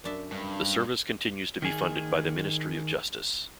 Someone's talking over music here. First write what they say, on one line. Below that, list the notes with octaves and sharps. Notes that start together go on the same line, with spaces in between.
The service continues to be funded by the Ministry of Justice.
F#2 D4 E5
G2
D#3 G#4